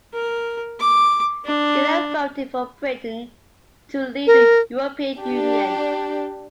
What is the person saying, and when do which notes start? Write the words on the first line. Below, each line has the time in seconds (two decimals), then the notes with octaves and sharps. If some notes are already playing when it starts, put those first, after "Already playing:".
Skinner voted for Britain to leave the European Union.
0.14 A#4
0.80 D6
1.45 D4
4.27 A#4
5.19 D4 G4